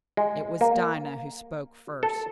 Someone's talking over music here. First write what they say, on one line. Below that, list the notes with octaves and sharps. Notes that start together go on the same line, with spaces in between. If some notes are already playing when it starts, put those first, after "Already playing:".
It was Dinah who spoke first.
G#3
A#3
A4